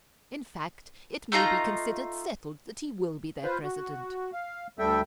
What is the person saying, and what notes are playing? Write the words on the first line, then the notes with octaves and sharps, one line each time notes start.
In fact, it may be considered settled that he will be their President.
A3 D#4 F4 A#5
F4 B4 C5
F#4
F5
D2 G3 A4 E5 G5